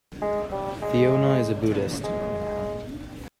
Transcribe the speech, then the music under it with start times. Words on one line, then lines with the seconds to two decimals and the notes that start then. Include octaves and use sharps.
Fiona is a Buddhist.
0.21 G#3
0.52 G3
0.82 G#3
2.03 G#3